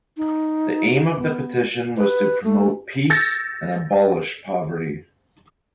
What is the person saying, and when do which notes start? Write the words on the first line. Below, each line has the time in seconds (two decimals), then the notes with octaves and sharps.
The aim of the petition was to promote peace and abolish poverty.
0.17 D#4
1.18 B3
1.97 B4
2.44 A3
3.10 E6 G6 A6 A#6 C#7